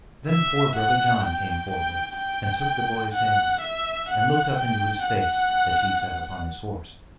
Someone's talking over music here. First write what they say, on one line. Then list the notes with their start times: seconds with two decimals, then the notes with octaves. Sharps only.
Then poor brother John came forward and took the boy's hand, and looked up into his face as he sat upon his horse.
0.28 E5
0.76 F#5
1.24 G5
1.71 G5
2.18 G5
3.13 F#5
3.61 E5
4.09 F#5
4.57 G5
5.04 F#5